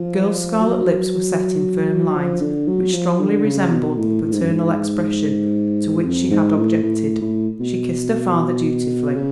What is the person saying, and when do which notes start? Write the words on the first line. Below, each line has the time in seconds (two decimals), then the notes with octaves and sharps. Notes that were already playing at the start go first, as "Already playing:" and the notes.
The girl's scarlet lips were set in firm lines, which strongly resembled the paternal expression to which she had objected; she kissed her father dutifully.
Already playing: F3
0.60 F#3
2.15 F3
2.41 D3
2.67 F#3
2.92 F3
3.20 D3
3.45 C#3
3.71 B2
3.97 A2
4.22 A2
4.32 G#2
4.42 F#2
4.50 G#2
6.05 F2
6.30 G#2
6.57 A2
6.82 A2
7.21 A2
7.60 B2
9.16 C#3